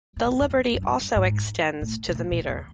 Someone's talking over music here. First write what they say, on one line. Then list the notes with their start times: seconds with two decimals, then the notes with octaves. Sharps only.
This liberty also extends to the metre.
0.17 G#2
0.24 A2
0.33 G#2
0.41 F#2
0.50 F2
0.74 F#2
0.83 G2
1.16 G#2
1.81 A2
2.08 B2
2.15 A#2
2.31 A#2
2.49 E2